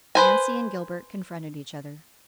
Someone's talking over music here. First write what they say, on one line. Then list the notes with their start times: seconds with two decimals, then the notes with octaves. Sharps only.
Nancy and Gilbert confronted each other.
0.15 B4 C5 G#5